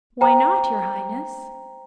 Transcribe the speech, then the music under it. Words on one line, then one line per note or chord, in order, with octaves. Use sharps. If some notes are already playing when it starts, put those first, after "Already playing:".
"Why not, your Highness?"
C5 G5 A#5